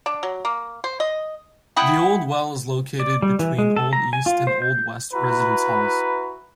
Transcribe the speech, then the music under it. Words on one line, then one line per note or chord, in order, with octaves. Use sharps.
The Old Well is located between Old East and Old West residence halls.
D4
F#3
A#3
C5
D#5
E4 F#5 G5 D#6
D5
G3
E3
G#3
A4
A#5
G#5
F4
C5
G6
E4 F#4 B4 A#5 B5